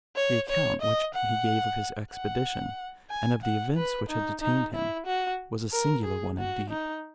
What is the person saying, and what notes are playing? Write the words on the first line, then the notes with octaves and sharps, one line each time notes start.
The account which he gave of his expedition, and of the events which had detained him, was a singular one indeed.
C#5
C#5
D#5
F#5
F#5
G#5
F#5
B4
D#4
D#4
E4
F#4
A#4
G#4
F#4
D#4